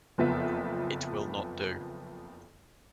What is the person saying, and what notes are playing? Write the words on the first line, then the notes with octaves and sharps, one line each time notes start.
It will not do.
F#1 F2 F3 B3 E5